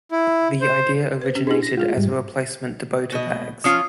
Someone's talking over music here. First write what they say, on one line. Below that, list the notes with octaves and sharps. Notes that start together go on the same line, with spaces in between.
The idea originated as a replacement to bota bags.
E4
C5
B4 C5
C#4 G4
D4 E4 G4 G#4
A#6
G#3 F4 G#4
G#2 G3
B2 D#5
F3 C#4 F4 D#6 C7